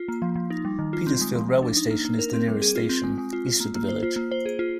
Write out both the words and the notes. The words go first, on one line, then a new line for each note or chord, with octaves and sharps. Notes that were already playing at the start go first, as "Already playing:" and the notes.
Petersfield railway station is the nearest station, east of the village.
Already playing: F4
A#3
F3
F3
D#4
G3
D#3
F4
C4
G#3
F3
F3
D4
D#4
A#3
A#3
A#4
C4
G3
G#4
F4
C4
G#3
G#3
F4
F4
A#3
A#3
C5
F4
A#3
C5
G#4
F4